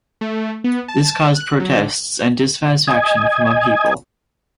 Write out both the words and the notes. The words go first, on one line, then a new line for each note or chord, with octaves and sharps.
This caused protests and dissatisfaction from people.
A3
B3
A5
F#6
F#3
D3
D#5 G#5